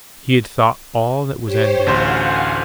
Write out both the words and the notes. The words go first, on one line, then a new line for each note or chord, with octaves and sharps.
He had thought all that was ended.
G4 C5 C#5
A1 D2 C5 F5 F#5 G#5